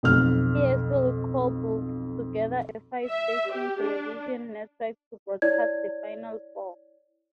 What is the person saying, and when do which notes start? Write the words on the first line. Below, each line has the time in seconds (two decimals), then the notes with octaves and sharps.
He hastily cobbled together a five-station television network to broadcast the Final Four.
0.03 B1 F2 F6
3.06 E5
3.50 G4
3.81 D4
5.42 E4 C#5 D5 G#6